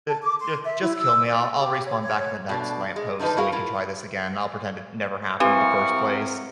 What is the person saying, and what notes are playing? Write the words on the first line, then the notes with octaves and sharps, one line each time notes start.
J j just kill me, I'll I'll respawn back in the next lamppost, and we can try this again, I'll pretend it never happened the first place.
A5
D6
C6
E5
E4
E6
D5
G4
C#5
C#5
B2 A3 D4
G#3
D3 D#3 F3 D#4 B4
E4 F#4 G#4 A#4 F5
E4 F4 A#4
C3 E3 F#3 C4 G4 A#4 C#6